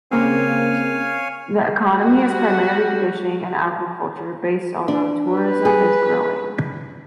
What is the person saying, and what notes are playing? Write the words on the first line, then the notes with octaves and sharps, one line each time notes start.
The economy is primarily fishing and aquaculture based although tourism is growing.
C#3 A#3 C4 C#5 F5 G#5
G3 F#4
D4
B4
G#4